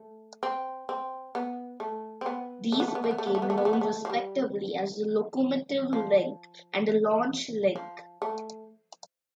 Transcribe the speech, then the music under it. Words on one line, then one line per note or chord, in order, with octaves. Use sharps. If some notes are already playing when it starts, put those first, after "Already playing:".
These became known respectively as the 'locomotive link' and the 'launch link'.
Already playing: A3
C4
C4
B3
A3
C4
B3
A3
B3
A3
B3
A3
B3
A3
B3
A3
B3
A3
B3
A3
B3
A3
F3
G3
F3
F3
A3